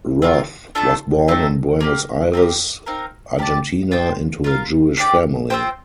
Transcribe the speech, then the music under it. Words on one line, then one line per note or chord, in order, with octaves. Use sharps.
Roth was born in Buenos Aires, Argentina into a Jewish family.
C4 F4 A#4
A3 D4 F4 A4
A3 C4 D#4 A4
A#3 D4 G4
C4 D#4 G4 A#4
C4 D#4 A#4 F5
G4 A#4 D5 A5
F4 C5 G5
F4 A#4 F5
D4 G4 D5 G5
C4 F4 C5 G5